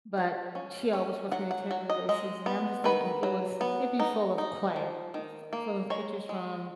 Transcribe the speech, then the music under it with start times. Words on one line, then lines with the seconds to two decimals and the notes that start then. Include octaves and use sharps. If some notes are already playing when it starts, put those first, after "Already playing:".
but she always wants me to take her places, and I'm just thinking, it was it'd be full of clay, g f for those pictures from
0.18 F3
0.55 C#4
0.93 C#4
1.32 F#3 F#5
1.51 F#5
1.71 F#3
1.90 D#5
2.09 G#3 D#5
2.46 B3
2.84 D#3 B4
3.23 F#3
3.61 B3
4.00 D#4
4.38 D#4
4.76 F3
5.14 D#3
5.53 A#3
5.90 G#3 C#5
6.29 G#3